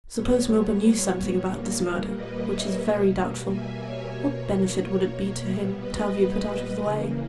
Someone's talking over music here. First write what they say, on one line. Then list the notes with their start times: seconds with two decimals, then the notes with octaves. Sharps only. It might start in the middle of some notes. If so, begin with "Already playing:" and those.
"Suppose Milburgh knew something about this murder--which is very doubtful--what benefit would it be to him to have you put out of the way?"
0.14 A#2 G3 B3 C#5
1.47 A#2 G3 A#3
2.13 B4 D#5
2.46 C#5 E5
2.80 B2 G3 A#3
3.46 E5 G#5
3.79 C#5
4.12 B2 A#3
5.46 A#2 G3 B3 C#5 E5
5.79 B4 D#5
6.79 C#3 E3 A#3